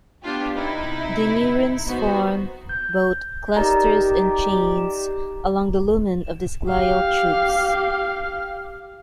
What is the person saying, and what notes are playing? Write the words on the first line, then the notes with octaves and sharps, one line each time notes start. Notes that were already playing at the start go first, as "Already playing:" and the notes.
The neurons form both clusters and chains along the lumen of these glial tubes.
B3 D4 F4 G4
C3 D#4 E4
B3 D#4 F#4 C5
G6
D#4 G4 A#4 D5 D#5 A#5 E6
G4 F5